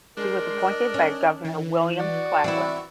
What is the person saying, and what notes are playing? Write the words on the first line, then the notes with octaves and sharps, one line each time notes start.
He was appointed by Governor William Claflin.
G#3 D4 A#4 C6 G6
D#5
C#4
E3
F#4 D5
E3 C4 E4 E5